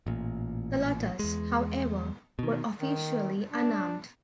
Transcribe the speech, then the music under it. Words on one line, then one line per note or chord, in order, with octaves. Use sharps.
The Lottas, however, were officially unarmed.
A1 A#2
E2 G#3
B2 D#3
D#3
D4